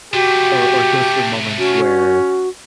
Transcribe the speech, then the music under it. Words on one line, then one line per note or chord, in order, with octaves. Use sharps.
or or goes through moments where,
C3 A3 F#4 G4
C#4 F#4